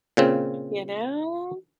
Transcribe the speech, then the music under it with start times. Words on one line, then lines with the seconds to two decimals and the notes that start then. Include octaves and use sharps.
You know?
0.17 A#2 C#3 C4